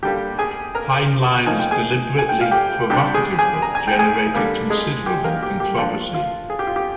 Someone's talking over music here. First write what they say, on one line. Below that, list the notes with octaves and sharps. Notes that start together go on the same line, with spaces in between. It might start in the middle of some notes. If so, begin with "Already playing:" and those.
Heinlein's deliberately provocative book generated considerable controversy.
D3 G3 A#3 G4 G5
G#4 G#5
A#4 A#5
F3 A#3 D#4 G#5
G5
G#4 G#5
G#5
G5
F5
G4 G5
C3 G3 D4 G4 G5
G#4 G#5
G#4 G#5
A#5
G#5
G5
G#4 G#5
D3 G3 A#3
G#3 G#4
G4
A#3 A#4
G4
G4
F3 A#3 D4 F4
F4
G#4
G4
F4
G4